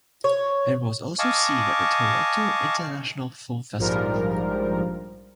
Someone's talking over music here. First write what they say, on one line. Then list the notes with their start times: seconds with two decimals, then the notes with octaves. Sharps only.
It was also seen at the Toronto International Film Festival.
0.24 C#5
1.19 D#5 F5 G#5 A5 C#6 D6
3.78 A#1 G#2 F3 G3 A#4